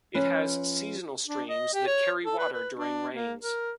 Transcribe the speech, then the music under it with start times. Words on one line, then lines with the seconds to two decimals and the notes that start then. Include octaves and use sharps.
It has seasonal streams that carry water during rains.
0.15 F3 C#4 B4
1.27 D4
1.49 D#5
1.74 G4
1.87 C#5
2.25 A4
2.38 B4
2.53 B4
2.76 D4
3.14 A#3
3.43 A#4